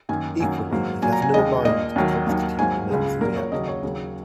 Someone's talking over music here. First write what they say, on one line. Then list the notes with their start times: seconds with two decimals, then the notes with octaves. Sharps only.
Equally, it has no mind to constitute the "mens rea".
0.09 F#2 D#3 A#3 G#5
0.40 F#2 D#3 F#3 A#3 G#5
0.71 G#2 F#3 A#3
1.02 A#2 F#3 A#3 G#5
1.12 A#5
1.22 G#5
1.34 D#2 C#3 G#3 D#5
1.65 A#2 A#3 D#5
1.96 D#2 D#3 F#3 A#3
2.27 D#2 D#3 F#3 A#3
2.59 G#2 F#3 A#3 G#5
2.90 C#2 C#3 G#3
3.21 A#2 F#3 A#3 A#4
3.36 C#5
3.52 D#2 C#3 F#3 D#5
3.68 C#5
3.83 D#2 C#3 F#3 A#3